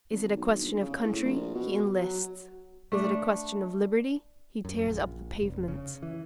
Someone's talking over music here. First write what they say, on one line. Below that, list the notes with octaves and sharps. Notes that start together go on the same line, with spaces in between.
Is it a question of country, he enlists; is it a question of liberty, he tears up the pavements.
G#1
B1
G1
C#3
A2
A#1
B2
F#3
A3 D4
F#2
A#1
F1
C#3
E3